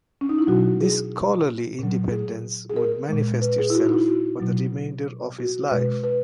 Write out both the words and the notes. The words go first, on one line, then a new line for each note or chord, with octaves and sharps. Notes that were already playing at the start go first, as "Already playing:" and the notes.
This scholarly independence would manifest itself for the remainder of his life.
C#4
D#4
E4
B2 F#3 F#4
G#4
A#2 F#3
G#4
G#4
A#4
A#2 G#3
B4
G#4
E4
F#4
D#4
E4
F#4
B2 F#3
F#4
B2 G#3 B4
B4